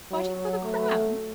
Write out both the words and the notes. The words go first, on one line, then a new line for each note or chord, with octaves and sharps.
'Fighting for the crown?'
F#3
A3